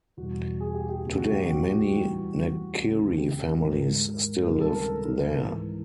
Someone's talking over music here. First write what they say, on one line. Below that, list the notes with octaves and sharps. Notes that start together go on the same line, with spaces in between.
Today many Naciri families still live there.
E2 B2 G3 F#4
G#4
G4
G4
D2 C#3 F#3
F#4
G4
F#4
A2 E3 G3
D2 C#3 E3
G4
G#2 D#3 G#3 A#4
C#2 C3 D#3 G3 A#4
A4
A#4
G#2 E3 G#3